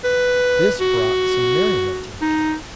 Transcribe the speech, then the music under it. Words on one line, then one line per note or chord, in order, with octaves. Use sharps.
This brought some merriment in the camp.
B4
F#4
D#4